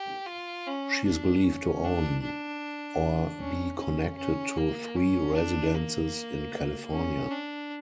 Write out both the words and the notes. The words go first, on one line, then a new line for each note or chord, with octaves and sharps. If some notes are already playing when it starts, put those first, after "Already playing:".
She is believed to own or be connected to three residences in California.
Already playing: G4
F4
C#4
D4
C#4
D4
D4
C#4
C#4
C#4
A#3
C#4
D4
A#3
C#4
D4